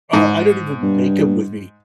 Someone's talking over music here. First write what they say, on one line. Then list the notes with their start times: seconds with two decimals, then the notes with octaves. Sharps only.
Oh, I don't even make 'em with meat.
0.13 G#2
0.83 G2